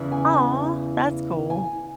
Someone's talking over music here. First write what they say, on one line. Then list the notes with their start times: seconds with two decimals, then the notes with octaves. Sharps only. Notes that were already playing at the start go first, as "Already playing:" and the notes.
Aw, that's cool.
Already playing: E2 C#3 E3
0.12 G#5
1.50 G#5